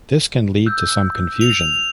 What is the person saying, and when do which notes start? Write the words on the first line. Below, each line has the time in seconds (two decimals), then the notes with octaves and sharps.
This can lead to some confusion.
0.66 E6 F#6 G6
1.41 F7